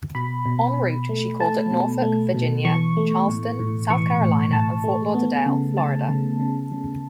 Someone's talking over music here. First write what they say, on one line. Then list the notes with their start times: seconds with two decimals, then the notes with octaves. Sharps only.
En route she called at Norfolk, Virginia; Charleston, South Carolina; and Fort Lauderdale, Florida.
0.15 B2 B5
0.46 B2
0.77 B2
1.09 A3
1.40 A3 A5
1.71 B2
2.02 A3
2.34 B2
2.65 E3 C#6
2.97 A3
3.28 A2
3.59 A2
3.90 E3 C#6
4.21 A2
4.52 A2 A5
4.84 A3
5.15 B3
5.46 C#3
5.78 C#3 A5
6.09 C#3
6.40 C#3
6.72 C#3